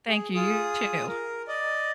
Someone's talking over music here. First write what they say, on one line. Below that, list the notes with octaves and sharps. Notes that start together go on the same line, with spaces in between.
Thank you, you, too.
G#4
F4 G#4 D#6
A#4
D5 D#5